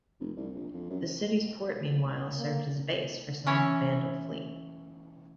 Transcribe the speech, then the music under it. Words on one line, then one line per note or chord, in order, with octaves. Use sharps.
The city's port meanwhile served as a base for some of the Vandal fleet.
F1
C2
A#1
F2
F#2
A#3
E3 C#4 E4 C#5